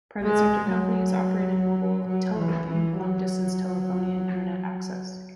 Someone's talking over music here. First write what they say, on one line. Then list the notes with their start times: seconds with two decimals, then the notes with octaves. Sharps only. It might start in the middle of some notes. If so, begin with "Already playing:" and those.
Private sector companies operate in mobile telephony, long distance telephony and Internet access.
0.23 G#3
0.69 F#3
2.07 F#3
2.37 E3
2.67 E3
2.98 F#3